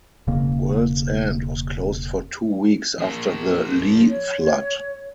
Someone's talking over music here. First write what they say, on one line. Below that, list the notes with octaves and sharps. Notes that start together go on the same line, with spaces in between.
Worlds End was closed for two weeks after the Lee flood.
E1 C#3 A#3
F3 A#3
C#5